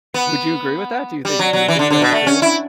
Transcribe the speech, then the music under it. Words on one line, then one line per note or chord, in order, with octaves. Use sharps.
Would you agree with that? Do you think do you think that's true?
B3
G3
F#3
F#3
E3
D3
D3
B2
A3
C#4
E4